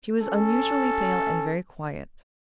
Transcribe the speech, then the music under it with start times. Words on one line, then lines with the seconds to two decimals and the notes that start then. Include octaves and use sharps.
She was unusually pale and very quiet.
0.19 C#4 A4